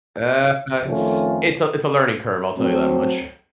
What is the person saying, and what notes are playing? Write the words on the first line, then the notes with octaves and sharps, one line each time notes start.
Uh, it's it's a it's a learning curve, I'll tell you that much.
F2 D#3 A3 C#4 F4
F#3 A3 C4